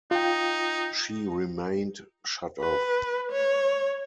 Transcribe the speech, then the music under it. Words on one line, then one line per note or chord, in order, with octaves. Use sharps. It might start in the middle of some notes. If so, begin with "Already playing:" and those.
She remained shut off.
D#4 F4 G5
B4
C#5